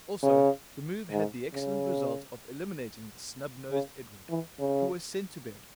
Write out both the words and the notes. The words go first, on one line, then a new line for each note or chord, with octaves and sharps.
Also, the move had the excellent result of eliminating the snub-nosed Edward, who was sent to bed.
C#3
G#2
C#3
C#3
E3
C#3